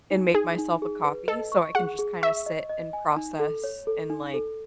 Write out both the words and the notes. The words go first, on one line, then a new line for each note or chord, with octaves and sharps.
and make myself a coffee so I can just kinda sit and process and, like,
D#4
D#4 G#4
D#4
G#4
B4
A4 D#5
C#6
G#4 F#5
G#4
E5 C#6
D#5
D#5
G#5
D#4
A4
C#5
A4
D#4
A4